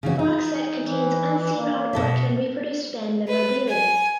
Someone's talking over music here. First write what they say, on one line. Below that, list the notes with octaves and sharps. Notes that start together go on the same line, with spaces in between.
The box set contains unseen artwork and reproduced band memorabilia.
C#3 E3 F#4
D#4
E3
A#3
B2 A4 E5
B4
G#5